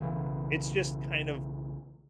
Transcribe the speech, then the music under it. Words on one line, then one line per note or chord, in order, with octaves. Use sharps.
it's just kind of
B1 C#3 E3